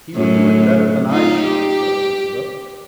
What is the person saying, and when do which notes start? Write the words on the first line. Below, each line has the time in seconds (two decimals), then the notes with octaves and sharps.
"He would do it better than I should," said Elizabeth.
0.14 F#2 A2
1.10 D#4 F4
1.43 G4